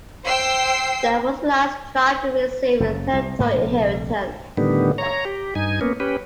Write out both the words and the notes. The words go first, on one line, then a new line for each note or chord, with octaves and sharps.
Dan was the last tribe to receive its territorial inheritance.
C5 G5 E6 C7
F#1 C#3
C2
G#2 A3 A#3
A#1 C3 A3
A2 D3 D#3 G3 B3
C#5 A#5
G4
G2 D#4 G#5
A#3 B3 C#4
C#4 G4 B4